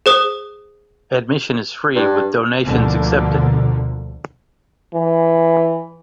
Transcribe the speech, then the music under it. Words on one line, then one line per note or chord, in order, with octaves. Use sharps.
Admission is free, with donations accepted.
G#4 C5 D#6
G2
D2 B2 D3 F3 A#3
E3